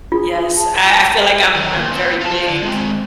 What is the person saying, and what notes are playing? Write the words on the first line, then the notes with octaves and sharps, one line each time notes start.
Yes, I I feel like I'm I'm very big
F4 G#4
A5
D#3 F#3
A#2
B3 C4
F4 A5
D3
G#3 C4